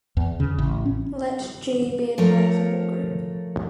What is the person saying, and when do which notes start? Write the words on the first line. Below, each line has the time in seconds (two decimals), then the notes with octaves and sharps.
Let "G" be a divisible group.
0.17 E2
0.40 C#3
0.59 A1
0.86 C#4
2.18 F3 A3 A#4 C#5